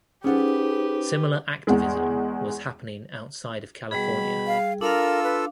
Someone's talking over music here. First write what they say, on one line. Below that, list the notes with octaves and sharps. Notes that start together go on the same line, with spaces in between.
Similar activism was happening outside of California.
C#4 D#4 G4 G#4 B4 C5 F#5
E2 G#3
B2 G3 G#4 B5
F5
D4 F4 A4 A#4 F5 E6
B4